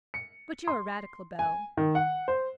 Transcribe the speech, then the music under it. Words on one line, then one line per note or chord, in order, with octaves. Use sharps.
But you're a radical, Bell.
C#7
C6
G#5
D#3
F#5
C5